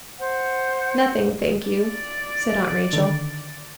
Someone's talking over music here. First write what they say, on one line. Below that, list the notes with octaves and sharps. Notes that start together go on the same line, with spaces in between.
"Nothing, thank you," said Aunt Rachel.
C5 F#5
D5
D3 D#3